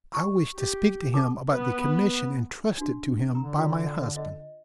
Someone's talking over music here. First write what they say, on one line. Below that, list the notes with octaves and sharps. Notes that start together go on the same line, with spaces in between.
I wish to speak to him about the commission intrusted to him by my husband.
C#6
G4
A4 A5 D6
B3
D4 F#4
D3 A#5
F4
D#5